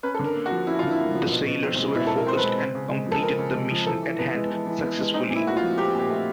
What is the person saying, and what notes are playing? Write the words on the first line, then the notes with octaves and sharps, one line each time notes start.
The sailors were focused and completed the mission at hand successfully.
C#4 B4
D3 A4
A#4
A#3
F#4
F3
C#4 E4
D3 F4
E4
A#3
F3
B2
B2
C4
G#3
B2 E4
A4
B2
A#4
C4 C5
B4
G#3
C4
C#3
G#3
F3
A4
C4 A#4
C#3
G#3
F3
E3 A4
E3
B3
G#3
E3
E3
B3
G#3
C4 D#4
A#2
E4
A3 F#4
F4
F3
C4 G4
A#2
G4
A3